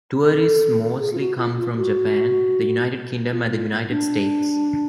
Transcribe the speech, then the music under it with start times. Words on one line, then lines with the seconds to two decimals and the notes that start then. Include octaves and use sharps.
Tourists mostly come from Japan, the United Kingdom and the United States.
0.22 A4
1.00 G#4
1.13 F4
1.19 F#4
1.38 F4
1.57 F4
1.77 F#4
3.31 F4
3.51 F4
3.90 D4